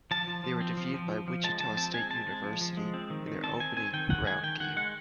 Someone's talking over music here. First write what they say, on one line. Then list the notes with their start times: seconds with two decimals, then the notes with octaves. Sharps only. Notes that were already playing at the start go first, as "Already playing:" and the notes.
They were defeated by Wichita State University in their opening round game.
0.11 F3 A5
0.28 F3
0.44 F3
0.61 C4
0.77 F3
0.94 F3
1.11 F3
1.28 F3
1.44 G#3 A5
1.60 F3 A5
1.77 C4 A5
1.94 G#3 G#5
2.10 C4 A5
2.27 G#3
2.44 F3
2.61 F3
2.77 G#3
2.94 C4
3.10 D#3
3.27 D#3
3.44 C4 A5
3.60 D#3 G#5
3.77 C4 G#5
3.93 D#3 G5
4.10 D#3 F#5
4.27 G#3 G#5
4.43 D#3 G5
4.60 D#3 F#5
4.77 G#3 F#5